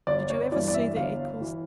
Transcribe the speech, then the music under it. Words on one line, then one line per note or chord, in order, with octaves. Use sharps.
Did you ever see their equals?
G1 D5
C#5
G2 E3 D5
D5
E5
G1 F5
E3